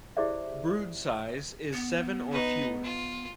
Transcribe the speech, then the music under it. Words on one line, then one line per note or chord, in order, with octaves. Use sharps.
Brood size is seven or fewer.
E4 G4 G#4 C5 D5 E5
B3
D#4 B4
F4